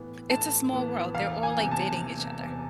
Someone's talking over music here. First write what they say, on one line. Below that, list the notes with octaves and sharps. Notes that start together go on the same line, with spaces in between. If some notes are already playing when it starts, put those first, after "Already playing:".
It's a small world, they're all, like, dating each other.
Already playing: A2 E3 B3
A2 A5
E3 B3
E1 F5
G#5
E2 C3
A5
E1
E2 C3